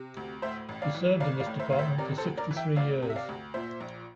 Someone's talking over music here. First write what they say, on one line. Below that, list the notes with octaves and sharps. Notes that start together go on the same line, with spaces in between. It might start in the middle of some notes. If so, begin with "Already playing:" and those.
He served in this department sixty-three years.
Already playing: C3
D2
A2 C5 E5
A1
D5 F5
E3
A1 D5 F5
D5 F5
A2
C5 E5
A1 F5
C5 E5
C3 A#4 D5
A4 C5
D2
A#4 D5
E3
E5 G5
D2 D5 F5
C3
E5
D5 F5
D2
A#2 C5 E5
A#1